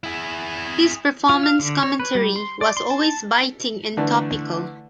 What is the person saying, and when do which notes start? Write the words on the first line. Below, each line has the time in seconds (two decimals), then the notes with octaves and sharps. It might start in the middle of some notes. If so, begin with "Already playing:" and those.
His performance commentary was always biting and topical.
0.04 E4 G#4
1.29 F4
1.43 F5
1.59 D3
1.83 C#5
2.00 B4
2.15 G3
2.36 C6
2.61 D5
2.77 C6
2.90 A5
3.97 D3 E3 A3 D4